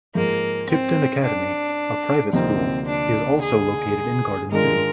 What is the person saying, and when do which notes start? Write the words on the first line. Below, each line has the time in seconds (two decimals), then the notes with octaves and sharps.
Tipton Academy, a private school, is also located in Garden City.
0.15 G#2 F3 G#3 A#3
0.70 C4
1.24 D4
2.32 D2 C3 F3 A#3 C4 D#4
2.87 D4
3.42 G#4
4.51 G#2 D#3 G#3 D4 F4 A#4